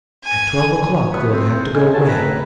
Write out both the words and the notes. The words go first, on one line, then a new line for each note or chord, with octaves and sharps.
At twelve o'clock they will have to go away.
G#5
G2 G3 A3 B3
C4
D#4 A4 G#5
F#4 C#5 G#5 A5
C#2 A3 C4 B4 A#5